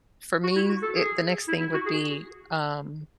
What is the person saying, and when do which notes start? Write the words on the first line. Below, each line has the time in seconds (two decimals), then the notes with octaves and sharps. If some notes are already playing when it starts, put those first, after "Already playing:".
for me e the next thing would be, um
0.44 F#4
0.56 E4
0.69 F#4
0.82 A4
0.96 G#4
1.48 E4
1.60 E4
1.74 F#4
1.86 G#4